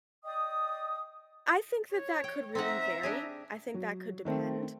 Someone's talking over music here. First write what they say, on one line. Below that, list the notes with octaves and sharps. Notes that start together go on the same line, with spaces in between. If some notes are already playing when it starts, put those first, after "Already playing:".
I think that that could really vary. I think that could depend,
D5 D#5 G5 D#6
C#5
G5
C4 D#4 E5 F#5 A#5
D4 G4 G#4
F#3
D#3 A3 C4